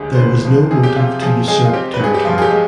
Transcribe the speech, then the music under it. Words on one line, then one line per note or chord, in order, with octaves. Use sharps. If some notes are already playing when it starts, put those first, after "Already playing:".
There was no motive to usurp territory.
Already playing: D2 G#3 G4 G#4
C5
D3 B4
F3
C3 G#4
G4
C3 F4
F3 G#4
G#3 G#4
F4
C4 G4
B4
G2 G#4
G4
F3 F4
G#4
G4
G#3